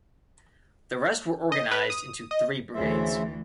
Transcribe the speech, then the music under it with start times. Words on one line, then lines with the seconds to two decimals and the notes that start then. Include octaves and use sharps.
The rest were organized into three brigades.
1.52 D#5
1.71 B4
1.90 D#6
2.31 D#5
2.75 D2 C#3 E3 C5 E5